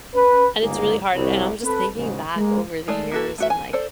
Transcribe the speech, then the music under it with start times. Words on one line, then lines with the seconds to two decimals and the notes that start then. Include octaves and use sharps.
And it's really hard, and I'm just thinking back over the years and like
0.14 C#4 B4
0.61 G1 C#2 G#2 G#3 A#3 G#4
1.12 C2
1.63 C4 A4 B4
1.94 A1 G#2 C#3
2.35 G#3 A#3
2.88 G#3 A3 G#4 D5
3.12 A#3 F#4 A4
3.38 A3 F#4 E5
3.50 G#5
3.73 A4 C5 D5